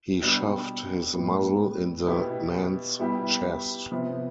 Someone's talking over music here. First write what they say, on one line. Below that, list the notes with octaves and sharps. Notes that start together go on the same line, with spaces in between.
He shoved his muzzle in the man’s chest.
B2 G3 D4 G4
A2 G3 B3
B2 B3 E4 G4
G3 B3 E4 G4
C3 F3 B3